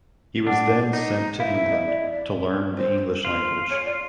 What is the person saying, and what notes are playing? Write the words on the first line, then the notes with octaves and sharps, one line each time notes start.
He was then sent to England to learn the English language.
D4 F#5
D#4
E4 F5
E5
D#5
D5
D#5
D5
C5
F4
C#5
D5